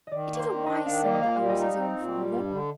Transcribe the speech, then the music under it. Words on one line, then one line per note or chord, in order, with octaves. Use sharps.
It is a wise son that owes his own father.
D#3 D5 D#5
A#3
C5
D#3
D4 D#5
D#3 F5
A#3 D5
D#5
A#2 F5
G3
D#5
D#4
C4
A#2
G3
G2
D3